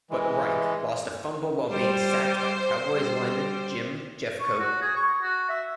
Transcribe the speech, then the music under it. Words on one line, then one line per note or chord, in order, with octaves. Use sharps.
But Reich lost a fumble while being sacked by Cowboys lineman Jim Jeffcoat.
E3 G#3
G3 C5
G3
C#6
F#4
G#4
C#6
F#4
E5